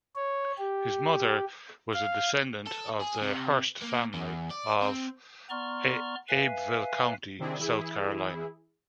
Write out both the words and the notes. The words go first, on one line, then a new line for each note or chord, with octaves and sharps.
His mother was a descendant of the Hearst family of Abbeville County, South Carolina.
C#5
G4
F5
A4
G#4
C3
A#3
E2
D5
C4
B3 D5 A#5 C6 C#6 F6
B4 E5 F5 G#5
C3 D#3 C4 D4 E4 G#4
E3 E4 G#4